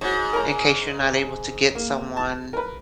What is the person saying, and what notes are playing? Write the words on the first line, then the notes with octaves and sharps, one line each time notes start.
in case you're not able to get someone
G#2 F#4 C#5
A#4 C#5 A#5
A#3
A5
A#4 B4